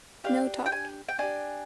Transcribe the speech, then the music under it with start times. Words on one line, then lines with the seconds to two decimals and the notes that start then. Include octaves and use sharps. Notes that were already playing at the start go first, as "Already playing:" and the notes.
No talk.
0.24 D4 G4 F5
0.66 G5
0.72 G#5
1.09 G5
1.19 D4 G4 G#5